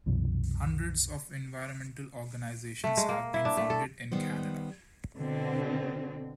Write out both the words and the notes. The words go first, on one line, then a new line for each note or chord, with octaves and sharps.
Hundreds of environmental organizations have been founded in Canada.
C2 F#2 B2 E3
A3
G#3
A#3
E4
D4
A3
A4
D#3 G3 B3 C5
B2 D3 C4